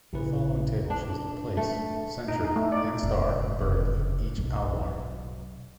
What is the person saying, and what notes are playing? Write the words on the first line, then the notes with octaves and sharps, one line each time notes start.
The following table shows the place, century and star of birth of each Alvar.
A1 A#2 C#3 E4 B4
D4
A3
D#4
D#4
A3
D5
F1 G#2
F1 C#3
B1